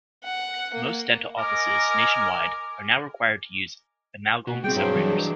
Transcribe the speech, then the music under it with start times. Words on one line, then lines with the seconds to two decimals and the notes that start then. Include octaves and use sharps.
Most dental offices nationwide are now required to use amalgam separators.
0.24 F#5
0.74 A#3
1.38 A#4 D#5 G#5 D6
4.47 B2 F#4
4.64 G3 B3 C4 G#4 G5
4.75 G2 F#3 E4 G4 C5
4.96 E3 D4